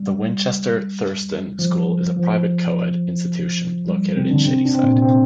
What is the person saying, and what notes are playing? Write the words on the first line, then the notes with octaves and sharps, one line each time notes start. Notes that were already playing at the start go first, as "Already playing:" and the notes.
The Winchester Thurston School is a private co-ed institution located in Shadyside.
Already playing: G3
F3
F3
G3
C3 C4
D3 D4
C3 C4
D4
C4
A#2 A#3
C3 C4